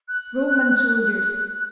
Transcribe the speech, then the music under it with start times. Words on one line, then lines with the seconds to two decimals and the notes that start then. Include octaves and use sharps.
Roman soldiers!
0.08 F#6